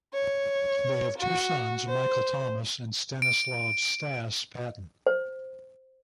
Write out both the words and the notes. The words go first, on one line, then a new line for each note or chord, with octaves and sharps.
They have two sons, Michael Thomas, and Stanislav "Stas" Patten.
C#5
F#4
C5
D7
C5